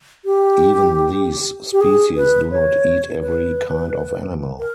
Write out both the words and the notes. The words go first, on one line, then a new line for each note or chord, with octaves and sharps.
Even these species do not eat every kind of animal.
G4
G4
G#4
B4
C#5
B4
A#4